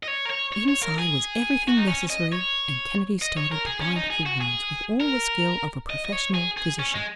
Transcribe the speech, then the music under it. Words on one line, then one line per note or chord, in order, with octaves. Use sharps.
Inside was everything necessary and Kennedy started to bind up the wounds with all the skill of a professional physician.
D#5
C#5
A#4
C#5
C#5
C#5
A#4
G#4
F#4
D#4
C#4
D#5
C#5
D#5
C#5
A#4
G#4
C#4
D#4
G#4
F#4
G#4
A#4
D#5
D#5
C#5
G#4
G#4
C#4
G#3